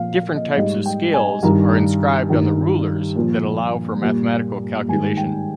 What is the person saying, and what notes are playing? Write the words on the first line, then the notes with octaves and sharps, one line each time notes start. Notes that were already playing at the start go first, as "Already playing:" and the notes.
Different types of scales are inscribed on the rulers that allow for mathematical calculation.
Already playing: A#2 F3 F5
F5
D#5
G#2 G3 D#5
G5
G#5
G2 D#3 G3 A#5
G2 D#3 G3
A#2 F3
A#2 G3
G#2 D#3 G3 G#5
G5